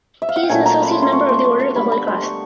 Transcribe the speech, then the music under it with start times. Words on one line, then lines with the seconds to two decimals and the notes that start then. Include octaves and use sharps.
He is an associate member of the Order of the Holy Cross.
0.22 E5
0.29 F5
0.36 F#5
0.43 G5
0.49 A#2 F#3 A3 C#4 G#5
0.66 A#5
0.82 B5
0.92 C6
1.02 C6
1.12 C#6
1.29 C6
1.44 C#6
1.59 C6
1.76 D3 G3 B3 B5
1.92 B5
2.08 C6
2.24 C#6